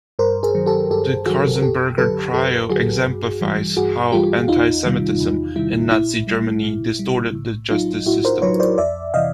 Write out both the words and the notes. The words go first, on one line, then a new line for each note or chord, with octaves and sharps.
The Katzenberger trial exemplifies how anti-Semitism in Nazi Germany distorted the justice system.
G2 A#4 C5
G#4 A#4
D#3 F#3
G4 A4
G2 G4 A4
D#3 F#3 F#4 G#4
A#4
F#2 G4 A4
D3 F#3 A4 B4
F#2 G4 A4
D3 F#3 F#4 G#4
G2
E3 G3
G2 F#4 G#4
E3 G3 F4 G4
E2 D#4 F4
C3 D#3 G3
E2
C3 D#3 G3 E4
A#2 E4
G3
A#2
G3
A2
F#3 D#4 F4
A2 E4 F#4
A#4 C5
F#3 B4 C#5
C5 D5
F2 D5 E5
C3 E3 D#5 F5